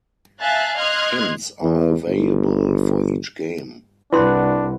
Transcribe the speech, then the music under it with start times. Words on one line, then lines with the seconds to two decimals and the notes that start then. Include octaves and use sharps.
Hints are available for each game.
0.40 E5 F5 G#5 A5 F#6 A6
0.77 D#5 C6 F6 F#6 G#6
1.63 E2
2.07 G1
4.13 C2 D4 E4 B4 F#5 C6